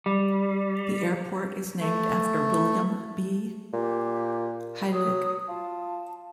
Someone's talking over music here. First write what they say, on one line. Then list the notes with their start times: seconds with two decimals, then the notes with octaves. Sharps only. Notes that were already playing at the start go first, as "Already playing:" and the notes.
The airport is named after William B. Heilig.
0.06 G3
1.80 A3
3.73 A#2 G4
4.93 F#3 D#6
5.48 F4 A5